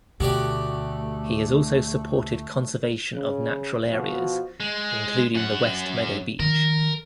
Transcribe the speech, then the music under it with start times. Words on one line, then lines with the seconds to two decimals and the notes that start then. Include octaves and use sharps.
He also supported conservation of natural areas, including the West Meadow Beach.
0.20 D2 B2 A3 F#4 G4 D5
3.15 C#3
3.91 B2 F3 F#4
4.60 G#3
5.35 F#2 F#5
6.39 D#3 F3 A#4